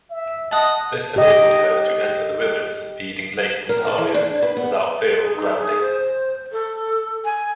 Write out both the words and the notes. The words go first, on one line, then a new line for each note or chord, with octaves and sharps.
This enabled her to enter the rivers feeding Lake Ontario without fear of grounding.
E5
D#5 F#5 A5
G4 D#5
A#4
A5
E3
D4
B4
B3
G#4
D#4
G#4
C5
A4
G#5